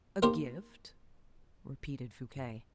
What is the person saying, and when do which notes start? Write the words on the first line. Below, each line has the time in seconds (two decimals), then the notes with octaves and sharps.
"A gift?" repeated Fouquet.
0.22 A#3 C4 D#4 G4 A#4 C5